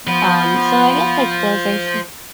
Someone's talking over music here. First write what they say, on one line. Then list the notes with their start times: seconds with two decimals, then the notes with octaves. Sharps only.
Um, so I guess, like, those are some
0.07 F3 B3